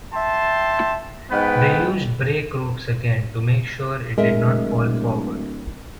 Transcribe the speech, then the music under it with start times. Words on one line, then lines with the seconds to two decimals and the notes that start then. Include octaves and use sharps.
They used brake ropes again to make sure it did not fall forward.
0.13 E5 G5 A5 C6
1.31 G#2 B3 B4 G5
4.18 D1 G#3 A#4 D#5 E5